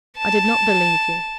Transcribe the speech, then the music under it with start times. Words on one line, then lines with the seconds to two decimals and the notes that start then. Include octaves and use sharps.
I did not believe you.
0.18 A5